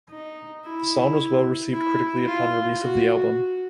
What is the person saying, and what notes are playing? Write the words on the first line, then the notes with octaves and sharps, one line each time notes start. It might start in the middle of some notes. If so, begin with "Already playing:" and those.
The song was well received critically upon release of the album.
D#4
E4
E4
F4
F#4
F#4